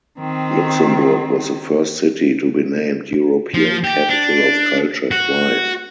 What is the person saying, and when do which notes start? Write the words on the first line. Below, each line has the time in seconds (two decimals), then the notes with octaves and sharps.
Luxembourg was the first city to be named European Capital of Culture twice.
0.19 D#3 C4
3.54 F3
3.84 G4
4.10 D4
5.11 F#4